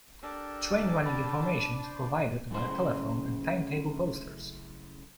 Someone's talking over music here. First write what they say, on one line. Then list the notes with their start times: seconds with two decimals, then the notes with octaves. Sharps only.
Train running information is provided via telephone and timetable posters.
0.22 D4 G4 A4 A#4
1.04 B5 A6
1.84 C5
2.51 F#2 A2 C#3 C5